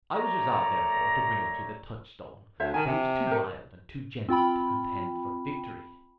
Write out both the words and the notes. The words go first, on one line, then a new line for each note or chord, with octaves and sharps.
I was resolved therefore to bring him to the touch-stone; but he was too mild and too gentle to contend for victory.
F#2 A3 C#5 D5 A#5
D2 C5 C#5 E5
D#3 G#5 A5
C3
G4 A#4
C4 F4 G5 B5